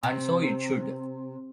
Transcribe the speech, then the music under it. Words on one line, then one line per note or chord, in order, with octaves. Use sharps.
And so it should.
C3